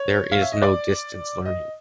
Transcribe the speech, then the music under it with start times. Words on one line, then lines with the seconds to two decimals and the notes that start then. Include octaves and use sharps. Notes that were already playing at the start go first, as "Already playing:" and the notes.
There is no distance learning.
Already playing: C#5
0.32 F5
0.41 E5
0.52 D#5
0.62 D5
1.45 D#5